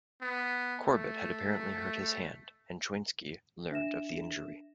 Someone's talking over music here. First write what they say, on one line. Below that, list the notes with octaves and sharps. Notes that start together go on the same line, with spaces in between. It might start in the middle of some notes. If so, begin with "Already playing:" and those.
Corbett had apparently hurt his hand, and Choynski learned of the injury.
B3
A3
D4 E5 A#6 E7